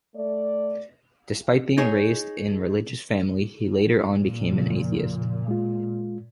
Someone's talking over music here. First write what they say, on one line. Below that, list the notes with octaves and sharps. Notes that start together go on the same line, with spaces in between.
Despite being raised in religious family, he later on became an atheist.
A3 D5
D#4 G#4 C#5
A#2
F2 C#3 F3
G#3 F4